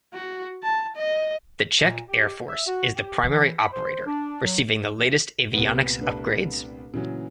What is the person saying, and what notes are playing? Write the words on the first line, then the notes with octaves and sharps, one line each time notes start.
The Czech Air Force is the primary operator, receiving the latest avionics upgrades.
F#4
A5
D#5
A#2
G4
E5
F#4
G4
E3
B5
C5
D4
F#3
C2 A#2 B3
A3 D4 B4
A#2 C#3 E3 F#3